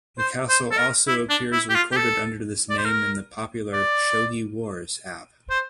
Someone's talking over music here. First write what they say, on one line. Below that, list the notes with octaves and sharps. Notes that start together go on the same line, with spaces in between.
The castle also appears recorded under this name in the popular "Shogi Wars" app.
C5
C5
A4
A#4
E4
D4
E4
G4
F4
G4
A4
D5
C5
A#4
D5
C5